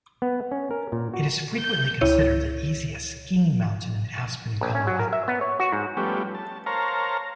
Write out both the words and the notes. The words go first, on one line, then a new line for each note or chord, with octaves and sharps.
It is frequently considered the easiest skiing mountain in Aspen, Colorado.
B3
C#4
A#4
A#2
F#4
G6
C#2 E4 C#5 G6 D#7
A#1
C#4
F#3
A#4
E5
B3
C#5
F#4
G#2
F3 G3 A3 B3 C#4 G4
A5
A#4 C5 C#5 F5 A5 A#5